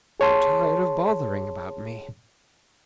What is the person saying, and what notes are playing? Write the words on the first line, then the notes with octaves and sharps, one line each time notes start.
You're tired of bothering about me.
G#4 C#5 A5 C6